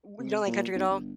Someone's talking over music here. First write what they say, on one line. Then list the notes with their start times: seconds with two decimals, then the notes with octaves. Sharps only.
W you don't like country at all?
0.19 C3
0.47 A#2
0.75 B1
0.90 G1